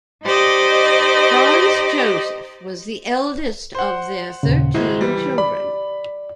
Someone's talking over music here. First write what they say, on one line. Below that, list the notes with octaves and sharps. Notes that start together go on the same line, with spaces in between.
Franz Josef was the eldest of their thirteen children.
D#4 G4 C5 D5 D#5
C5 F#5
D#2 A#2 C#3
G#1 G#3 E4
E3 G3
D5 B5